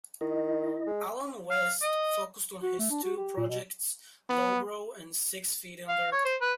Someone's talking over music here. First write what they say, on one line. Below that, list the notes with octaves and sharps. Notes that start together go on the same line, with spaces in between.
Allen West focused on his two projects, Lowbrow and Six Feet Under.
D#3 E4 D#5
G#3
F5
D#5
F#4
A3
D4
F#4
G4
A#2
B2
B3
F5
C#5
C5
B4